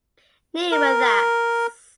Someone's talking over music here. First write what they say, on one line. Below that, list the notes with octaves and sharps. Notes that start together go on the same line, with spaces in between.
Kneel with us!
A#4